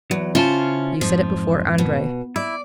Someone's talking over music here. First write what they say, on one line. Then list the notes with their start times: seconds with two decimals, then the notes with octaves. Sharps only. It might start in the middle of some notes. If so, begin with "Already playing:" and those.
You said it before Andrey.
0.11 E2 F#3
0.35 C#3 C#4 E4 F4 C5 A5
1.01 F2 G#2 F3
1.78 B2
2.36 E4 D5